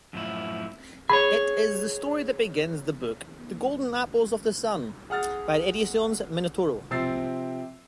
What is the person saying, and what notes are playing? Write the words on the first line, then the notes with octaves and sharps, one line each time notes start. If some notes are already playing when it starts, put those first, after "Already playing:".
It is the story that begins the book “The golden apples of the sun” by Ediciones Minotauro.
F#2 A2 F3 E4
G#4 C#5 B5
G#4 F#5 F6 A6
C3 F3 C4 E6 A6 C7